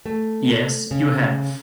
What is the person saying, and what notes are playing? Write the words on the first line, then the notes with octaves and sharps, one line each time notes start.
Yes, you have.
A3
C#3